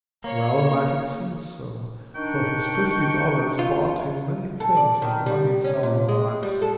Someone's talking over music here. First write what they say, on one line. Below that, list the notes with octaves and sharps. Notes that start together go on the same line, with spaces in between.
Well might it seem so; for his fifty dollars bought him many things that money seldom buys.
A#3 C#5
D#3 D4 G5 C#6
F4
A4
D5
D#3
G3
C#4
A#2
G#3
G3
A4